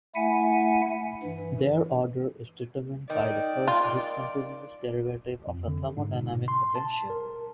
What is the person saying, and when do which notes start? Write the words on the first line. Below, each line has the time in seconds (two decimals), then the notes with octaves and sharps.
Their order is determined by the first discontinuous derivative of a thermodynamic potential.
0.15 A3 E4 E5 F#5 G#5
1.23 G2 E3
3.10 D#3 D5
3.68 F4
5.47 F2
5.68 D3
5.97 G#2
6.15 B2
6.48 C6
6.75 A5
7.10 A#4